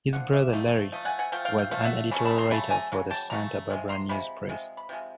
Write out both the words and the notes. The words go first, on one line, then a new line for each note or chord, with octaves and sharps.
His brother, Larry, was an editorial writer for the "Santa Barbara News-Press".
D3 F3 F#5
D5 E5
F3 A3 C4 D#4
F3 A3 D#5
F#5 G#5
F#5 G#5
F3 A3 G5
F5 G5
F5 G5
F3 A3 F5
E5 F#5
C#3 F#3 A3 C#4 A5 B5
A5 B5
A#5 C6
C#3 F#3 A3 A5 B5
G#5 A#5
C#3 F#3
G5 A5
C#3 F#3 A3 A#5
C3 F3 G#3
A#5 C6
C3 F3 G#3 B5
C3 F3 G#3
B5
C3 F3 G#3